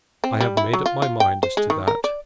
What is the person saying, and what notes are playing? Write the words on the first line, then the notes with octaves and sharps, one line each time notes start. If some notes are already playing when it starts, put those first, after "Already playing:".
I have made up my mind as to that.
C4
G3
E4
F#3
F4
F4
G5
C5
G#3
D#3
A#4
D5